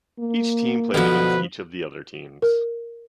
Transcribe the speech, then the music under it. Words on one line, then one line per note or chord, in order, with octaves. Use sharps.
Each team played against each of the other teams.
A#3
B2 D3 F3 B4 F5
A#4